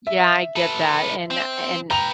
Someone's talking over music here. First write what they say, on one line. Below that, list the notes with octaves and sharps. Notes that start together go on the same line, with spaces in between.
Yeah, I get that, and a and
E5
A4 B4
C4
B4 G5 A#5 F7